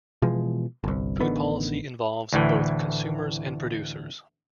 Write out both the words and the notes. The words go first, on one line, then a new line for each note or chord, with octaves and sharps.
Food policy involves both consumers and producers.
B2 E3 F3 G#3
G1 C2
A1 D3 D#3 B3
D2 A2 E3